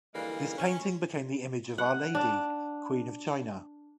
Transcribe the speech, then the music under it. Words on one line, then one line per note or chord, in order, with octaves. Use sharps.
This painting became the image of Our Lady, Queen of China.
D3 E3 F3 G3 G#3 A#3
C#4
F#5
D4